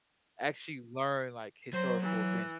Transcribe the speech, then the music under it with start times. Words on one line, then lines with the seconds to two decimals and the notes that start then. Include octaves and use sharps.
actually learn, like, historical events
1.73 F#3 C5
2.03 E3